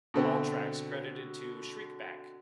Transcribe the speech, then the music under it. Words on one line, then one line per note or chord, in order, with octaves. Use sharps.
All tracks credited to Shriekback.
B2 D3 C4